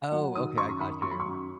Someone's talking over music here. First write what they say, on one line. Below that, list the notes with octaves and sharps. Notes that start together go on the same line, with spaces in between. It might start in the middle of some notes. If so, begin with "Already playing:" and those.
Oh, okay. I got you.
F#3 F#5
D#3 D#6
F#2 C#6
D#3 B5
F#3 C#6
B5
C#6
F#2